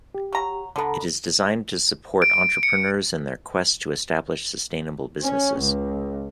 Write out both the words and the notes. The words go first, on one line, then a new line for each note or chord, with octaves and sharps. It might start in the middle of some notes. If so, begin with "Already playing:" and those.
It is designed to support entrepreneurs in their quest to establish sustainable businesses.
G4
F#3 A#5
C#2 D3 B3 A4 A#5
D7
C#7
C#4
C#2